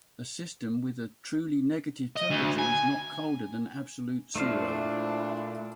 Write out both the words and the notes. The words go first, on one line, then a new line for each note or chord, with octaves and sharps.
A system with a truly negative temperature is not colder than absolute zero.
D#5
D2
G#5
A#2 A3 D4 E4 C5 F5